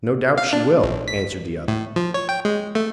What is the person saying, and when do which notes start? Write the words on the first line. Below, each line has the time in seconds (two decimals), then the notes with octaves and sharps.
"No doubt she will," answered the other.
0.38 F5
0.53 D4
0.83 A#1
1.08 B6
1.68 A2
1.96 F3
2.14 C#5
2.29 G5
2.45 G#3
2.75 A3